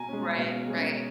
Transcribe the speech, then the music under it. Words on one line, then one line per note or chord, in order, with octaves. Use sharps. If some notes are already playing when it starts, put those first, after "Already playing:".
Right, right.
Already playing: B2 G#5 A#5
G#3 C#4
B2 F5
G#3 C#4